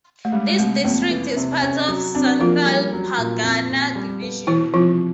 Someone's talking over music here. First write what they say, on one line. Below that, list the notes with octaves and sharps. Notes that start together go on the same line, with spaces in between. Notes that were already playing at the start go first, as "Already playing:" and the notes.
This district is part of Santhal Pargana division.
A3
G3 G#3
G#3
C2 A3
A3
F2 A#3
E3
C3
C#4
F#3
C4 D4
F3 A#3 F4
G3
F#3
A#2
F2
F2
G3
B3
B2 E3 E4
C2 F3 F4